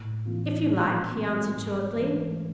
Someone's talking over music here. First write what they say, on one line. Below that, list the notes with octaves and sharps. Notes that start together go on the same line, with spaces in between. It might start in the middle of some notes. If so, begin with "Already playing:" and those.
"If you like," he answered shortly.
Already playing: A2
E3 A3 C4 F4
A#2
F#3 A3 C4
G#2
E3 A3 C#4